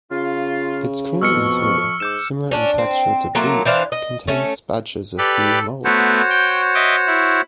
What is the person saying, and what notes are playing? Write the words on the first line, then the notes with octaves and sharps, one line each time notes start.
Its creamy interior, similar in texture to Brie, contains patches of blue mold.
C#3 F4
F2 B2 F3 C#6 E6 F6 C#7
G#2 D6 G6 E7
C#4 D4
C4
F#3 A3 A#3 F4
E3 D4 C5 F5
D#5
A3 C#4
G4 A4 B4 D5
A3 B3 F#4 C5 C#5
G5
D#5 E5 D6
E4